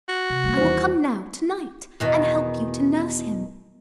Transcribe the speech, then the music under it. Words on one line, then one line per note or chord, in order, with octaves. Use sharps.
I will come now, to-night, and help you to nurse him.
F#4
C3
G3 A#3
E2 D#3 E3 C5
E2 B2 D#3